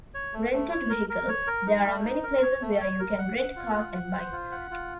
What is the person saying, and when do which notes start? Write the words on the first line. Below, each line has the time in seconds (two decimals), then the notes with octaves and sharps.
Rented Vehicles - There are many places where you can rent Cars and Bikes.
0.14 C#5
0.34 A3
0.53 A3
0.72 C#5
0.90 A#4
1.10 A#4
1.28 C#5
1.47 A#4
1.67 D#4
1.85 A3
2.04 D#4
2.23 A#4
2.42 C#5
2.62 A3
2.81 C#5
2.99 A#4
3.18 F#5
3.37 F#5
3.56 F4
3.75 F#5
3.94 F#5
4.13 C5
4.33 F4
4.52 F#5
4.71 F4